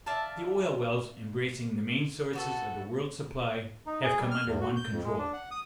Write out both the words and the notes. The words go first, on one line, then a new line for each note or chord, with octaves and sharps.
The oil-wells embracing the main sources of the world's supply have come under one control.
D5 E5 F5 A5
B3 F#4 A4
D#4
G#4
G3
F6
E2
F#4
G6
F2
G#3
D4
F#5
D#6